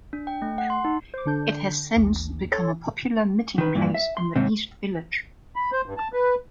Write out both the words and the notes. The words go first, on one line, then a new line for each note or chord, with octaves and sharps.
It has since become a popular meeting place in the East Village.
D4
G5
A3
F#5
C6
D#4
C5 D6
D3 D4 G6
A1 D#2
A4 C#5 C6 A6
D#3 B4
G2 A#2 E3
E5
C6
D#2 G#2 C3
B5
C5
G2
A5
B4